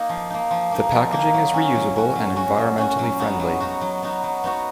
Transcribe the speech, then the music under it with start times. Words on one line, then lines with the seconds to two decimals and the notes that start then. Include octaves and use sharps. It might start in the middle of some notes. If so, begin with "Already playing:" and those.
The packaging is reusable and environmentally friendly.
Already playing: A#3 D#4
0.09 F3
0.30 A#3 D#4
0.51 F3
0.71 A#3 D#4
0.92 F3
1.12 A#3 D#4
1.34 F#3
1.54 C#4 F#4
1.75 F#3
1.96 C#4 F#4
2.15 F#3
2.36 C#4 F#4
2.58 F#3
2.78 C#4 F#4
2.98 F#3
3.20 B3 D#4 F#4
3.40 F#3
3.60 B3 D#4 F#4
3.81 F#3
4.03 B3 D#4 F#4
4.23 F#3
4.44 B3 D#4 F#4